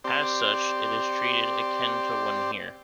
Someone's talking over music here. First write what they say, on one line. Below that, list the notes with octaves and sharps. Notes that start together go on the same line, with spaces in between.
As such, it is treated akin to one here.
C4 G4 D5 C6